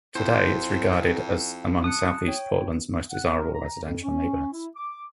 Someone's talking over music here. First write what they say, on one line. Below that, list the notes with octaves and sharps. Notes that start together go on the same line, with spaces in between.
Today it is regarded as among southeast Portland's most desirable residential neighborhoods.
F2 E4 C5
A5 D#6 F#6 C#7
C#5 G5
F#5
A#4
A#5
F2
C#4
E4
D6